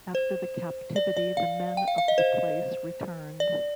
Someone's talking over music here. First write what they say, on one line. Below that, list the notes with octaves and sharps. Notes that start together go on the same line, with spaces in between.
After the captivity the men of the place returned.
C5
D5
D5
F5
G5
F5
F5
D#5
C5
D5